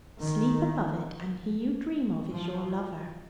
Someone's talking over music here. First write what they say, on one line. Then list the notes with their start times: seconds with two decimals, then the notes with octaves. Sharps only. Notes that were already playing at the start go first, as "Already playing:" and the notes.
Sleep above it, and he you dream of is your lover.
0.22 D#3
2.34 F3